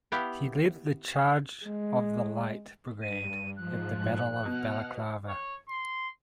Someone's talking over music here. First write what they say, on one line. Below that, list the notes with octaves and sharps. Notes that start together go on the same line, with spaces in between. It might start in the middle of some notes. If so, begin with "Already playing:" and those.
He led the Charge of the Light Brigade at the Battle of Balaclava.
B3 E4 G4 F5
G#3
G2 D#7
G#2 F3 F#6
B2 F#5 F6
C#5
C6